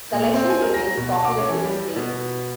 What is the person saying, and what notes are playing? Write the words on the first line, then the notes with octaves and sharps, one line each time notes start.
The collection remains popular to this day.
A#2
C4
G#5
A#4
A#6
B2
A5
D6
C#4
E3
G3
B2